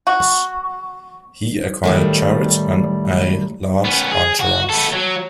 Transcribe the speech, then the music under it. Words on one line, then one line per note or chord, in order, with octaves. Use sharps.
He acquired chariots and a large entourage.
F#4
A2 D#3 G3
B3 C#4
G#4
F#4
B3 A4
F#3